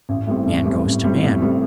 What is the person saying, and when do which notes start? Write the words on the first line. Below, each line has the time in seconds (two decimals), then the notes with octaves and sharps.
Man goes to Man!
0.09 A1
0.27 A2 G3 C4
0.46 A1
0.65 A2 G3 C4
0.84 A1
1.03 A2 G3 C4
1.22 A1
1.41 A2 G3 C4